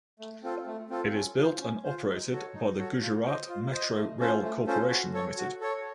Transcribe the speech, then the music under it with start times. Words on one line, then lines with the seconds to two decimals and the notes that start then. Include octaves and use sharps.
It is built and operated by the Gujarat Metro Rail Corporation Limited.
0.19 A3
0.43 C4 F4 A4
0.67 A3
0.90 C4 F4 A4
1.14 C#4
1.37 F4 C5
1.61 C#4
1.84 F4 C5
2.08 D#4
2.32 F#4 A4 C#5
2.55 D#4
2.78 F#4 A4 C#5
3.02 F4
3.26 C5 D#5
3.49 F4
3.73 C5 D#5
3.96 A3
4.20 C#4 F4 A4 C5
4.44 A3
4.67 C#4 F4 A4 C5
4.91 F#4
5.14 A4 C#5
5.37 F#4
5.61 A4 C#5